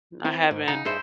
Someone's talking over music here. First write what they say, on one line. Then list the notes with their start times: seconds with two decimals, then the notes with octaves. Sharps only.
I haven't.
0.25 C4 E4
0.51 G#2
0.68 C#3 D#4 F#5 A#5
0.85 G2 E4 G#4 C5 E5